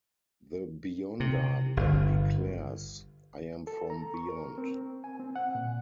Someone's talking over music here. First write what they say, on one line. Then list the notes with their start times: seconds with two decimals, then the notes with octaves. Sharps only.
The Beyonder then declares: I am from beyond!
1.20 C3
1.77 G1
3.67 A4
3.90 A#5
4.14 C#6
4.29 A#4
4.58 C4
5.04 G#5
5.20 C4
5.36 F#5
5.55 A#2